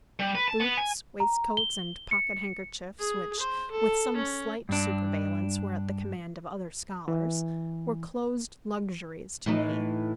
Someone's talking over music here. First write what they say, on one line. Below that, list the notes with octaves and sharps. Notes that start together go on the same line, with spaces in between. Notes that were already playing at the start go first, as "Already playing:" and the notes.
Boots, waistcoats, and pocket-handkerchiefs, which, with some slight superveillance, were at the command of other scholars, were closed luxuries to me.
G3
B4
A5
B3
G#5
A#5
G7
C#7
G#4
C5
A4
C#4
G2 D4
E3
A2 E3 D#4